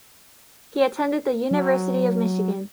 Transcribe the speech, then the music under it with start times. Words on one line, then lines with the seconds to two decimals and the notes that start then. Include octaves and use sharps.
He attended the University of Michigan.
1.51 F#3